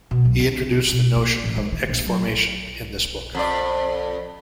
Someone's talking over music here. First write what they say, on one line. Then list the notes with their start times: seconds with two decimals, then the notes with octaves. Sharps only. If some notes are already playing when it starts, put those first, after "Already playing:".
He introduced the notion of exformation in this book.
0.11 B2
0.25 B1
0.40 D3
0.92 B2
1.16 A#3
1.44 A1
1.57 G#3
1.72 D#3
1.89 A#1
2.07 F#3
3.35 F2 D5